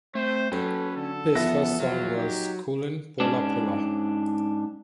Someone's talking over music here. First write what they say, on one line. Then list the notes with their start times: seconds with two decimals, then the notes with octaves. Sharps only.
His first song was "Kullen Pola Pola".
0.15 A3 C4 C5
0.52 F#3 C#4 A4 B4 G5
0.96 D3 A4
1.35 E2 F3 B3 E5 A#6
1.80 F#3 F4
2.16 D#4 G4
3.20 G#2 C#4 D4